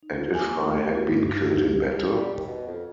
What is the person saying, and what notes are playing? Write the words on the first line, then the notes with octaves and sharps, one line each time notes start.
And if I had been killed in battle?
D#4
F4
G#5
A#3
A3
F#4
G2
D#4
F#4
G3
D#2
B2
F2